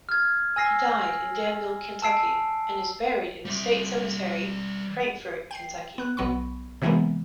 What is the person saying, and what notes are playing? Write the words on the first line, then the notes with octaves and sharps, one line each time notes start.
He died in Danville, Kentucky, and is buried in the State Cemetery, Frankfort, Kentucky.
F6 G#6
G#5 E6 A#6 C7
A5 E6 C7 D7
G3 E5
G5 C7
B3 F#6
B1 F#3 B3 B5 C#6
C3 E3 F#3 G#3 A#3 B3